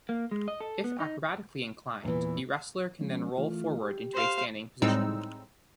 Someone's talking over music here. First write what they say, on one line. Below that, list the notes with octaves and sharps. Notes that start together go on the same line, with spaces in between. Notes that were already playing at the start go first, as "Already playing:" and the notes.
If acrobatically inclined, the wrestler can then roll forward into a standing position.
A#3
G#3
D#5
A4
B3
D#4
E2 A#2 D3 E3
F3 G#3 C#4
E3 A3 F4
G4
C5 F5
A2 G3 G#3 C4 D#4 E6